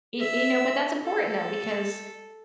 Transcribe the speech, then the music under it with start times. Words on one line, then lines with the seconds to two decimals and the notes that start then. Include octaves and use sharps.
e e know, but that's important though, because,
0.19 E5
1.05 A4